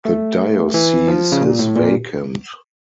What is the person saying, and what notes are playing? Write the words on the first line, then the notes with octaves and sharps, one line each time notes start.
The diocese is vacant.
A3
E3
F3
C#3
A#2
A2
A#2